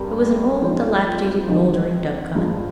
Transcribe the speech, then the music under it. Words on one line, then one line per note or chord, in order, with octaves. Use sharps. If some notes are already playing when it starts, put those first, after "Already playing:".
It was an old, dilapidated, mouldering dovecot.
Already playing: G2 G3 C4 G4 A#4
F3 G#3 C4 D#4
D#3 G#3 C4 D#4
G2 F3 G#3